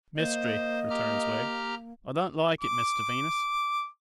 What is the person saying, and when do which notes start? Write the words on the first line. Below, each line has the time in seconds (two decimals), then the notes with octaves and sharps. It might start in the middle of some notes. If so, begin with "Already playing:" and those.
'Mystery,' returns Wegg. 'I don't like it, Mr Venus.
0.17 A#3 C5 D#5
0.90 G4 A#5 F6
2.61 D6